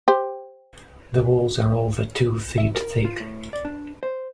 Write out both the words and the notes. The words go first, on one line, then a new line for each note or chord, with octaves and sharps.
The walls are over two feet thick.
G4 C5
E5
A#4
F4
A2
D5
D4
C5